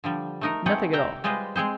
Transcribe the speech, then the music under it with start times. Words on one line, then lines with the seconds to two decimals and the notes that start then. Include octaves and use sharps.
"Nothing at all."
0.04 D3 F3 G3
0.41 A3 D#4 A#4
0.66 A3 C4 G#4 B4 F#5 G5
0.93 C3 E5 G5 A#5
1.24 G3 G#3 F4 B4 C5 D#5
1.56 G#3 C4 G#4 C5